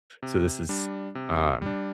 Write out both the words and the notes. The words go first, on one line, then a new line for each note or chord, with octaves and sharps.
So, this is, um,
C3
G3 D4
C3
G3 D4